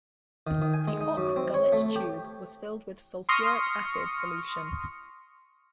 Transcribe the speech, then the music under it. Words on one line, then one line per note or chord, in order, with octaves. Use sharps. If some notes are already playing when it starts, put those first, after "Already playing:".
The ox-gullet tube was filled with sulfuric acid solution.
D#3
D#3
G#5
G#3
D#4
F#2
C4
C#5
A3
G4
C6 C#6 D#6 F6 A#6 C#7